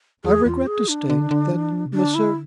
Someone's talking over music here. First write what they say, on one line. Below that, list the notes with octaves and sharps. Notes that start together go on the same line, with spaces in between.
I regret to state that Messrs.
E2 G#4
E2 F4
G#4
D4
D3
D3
E3
F3
C3
D3 D4
E4